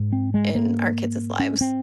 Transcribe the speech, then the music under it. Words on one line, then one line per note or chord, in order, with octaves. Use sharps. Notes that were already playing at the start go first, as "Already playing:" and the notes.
in our kids' lives.
Already playing: G#2
C4
G#3
A#3
C#4
C4